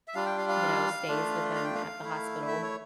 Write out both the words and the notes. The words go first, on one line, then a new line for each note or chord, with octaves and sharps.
you know, stays with him at the hospital
E5
G3 D4 F4 F5
G5
F5
F5
A3 D4 F4
F5
G5
F5
A3 E4
E5
C#5